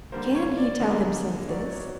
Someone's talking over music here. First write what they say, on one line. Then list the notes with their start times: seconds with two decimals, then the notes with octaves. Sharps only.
Can he tell himself this?
0.12 D3 G3 A#3 C5
0.35 C#5
0.58 D5
0.80 D3 G3 A#3 D#5
1.48 D#3 F#3 A#3 D5
1.71 C#5